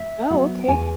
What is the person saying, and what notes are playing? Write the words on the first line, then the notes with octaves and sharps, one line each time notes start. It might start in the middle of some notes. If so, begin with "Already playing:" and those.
Oh, okay.
Already playing: E5
F#3 B3
E2 G#5